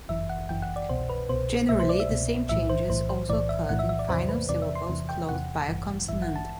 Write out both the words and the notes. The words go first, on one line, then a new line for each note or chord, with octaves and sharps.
Generally, the same changes also occurred in final syllables closed by a consonant.
G1 F#2 E3 E5
F#5
G1 F#2 E3 G5
F#5
D5
C2 B2 C5
B4
C2 B2 C5
C2 B2 E5
C5
D5
E5
C2 B2
B1 A2 E3 E5
C5
B1 A2 E3 C5
C5
B1 A2 E3 D5
E5
B1 A2 E3 F#5
E5
E5
D5
E2 C3 E3 C5
B4
E2 C3 E3 D5
E5
C6
E2 C3 E3
G5
E2 C3 E3 F#5
A1 G2 E3
A1 G2 E3 E5
F#5
A5